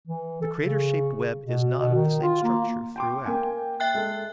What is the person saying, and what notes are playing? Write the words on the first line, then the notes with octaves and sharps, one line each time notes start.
The crater-shaped web is not of the same structure throughout.
E3
A4
C#3
B2
B2
D#3
F4
A#3
G5 C6 D6
A#3 G5 G#5
E5 G5 F#6
G#3 A4